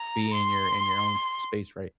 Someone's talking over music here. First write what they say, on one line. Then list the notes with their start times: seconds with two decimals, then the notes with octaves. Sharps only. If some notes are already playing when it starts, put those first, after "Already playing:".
be in your in your own space, right?
Already playing: A#5
0.33 C6